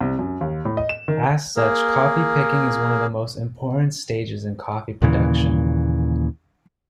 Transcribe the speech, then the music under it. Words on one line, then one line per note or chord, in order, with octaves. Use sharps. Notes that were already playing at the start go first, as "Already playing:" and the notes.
As such, coffee picking is one of the most important stages in coffee production.
C2
F#2
D#2
A2
D#5
E7
D#3
A#3 G#4 A#4
D#2 A#2 C#3 E3